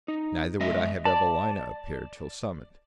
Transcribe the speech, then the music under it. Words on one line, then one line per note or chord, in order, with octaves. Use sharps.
Neither would I have Evelina appear till summoned.
D#4
G#3 D#5 E5
D5 A5